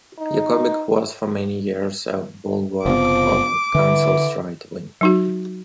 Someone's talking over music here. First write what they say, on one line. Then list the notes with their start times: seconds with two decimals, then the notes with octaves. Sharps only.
Jakobek was for many years a bulwark of the council's right-wing.
0.18 D#4
2.85 F#1 C3 F3 B3 D6
3.75 D3 E3
5.01 F#3 D#4 F#4